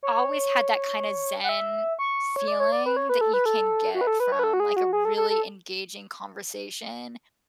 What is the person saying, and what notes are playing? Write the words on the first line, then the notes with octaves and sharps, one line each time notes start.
always had that kinda zen feeling that you can get from, like, a really engaging conversation,
C#5
F#5
E5
C#6
C#5
D5
C#5
D5
B4
C#5
B4
A4
B4
A4
F#4
B4
A4
B4
C#5
B4
A4
F#4
G#4
F#4
G#4
A4
A4
A4